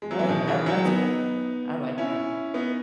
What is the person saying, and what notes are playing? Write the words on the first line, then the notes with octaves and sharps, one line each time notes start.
Right. That that's a good thing. I like that.
G#3
F#3
E3
B2 D#3
C#3 E3
D#3 F#3
B3 D#4
C#4 E4
B3 D#4